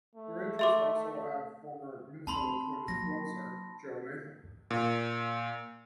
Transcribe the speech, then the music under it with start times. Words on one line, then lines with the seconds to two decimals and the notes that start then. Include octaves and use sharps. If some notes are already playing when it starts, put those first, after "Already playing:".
The Rangers also add former Minnesota Twins closer, Joe Nathan.
0.16 A3
0.59 E5 C6 D6
2.27 B3 C4 A5 B5 C6
2.88 F#3 A#3 A#6
4.70 A#2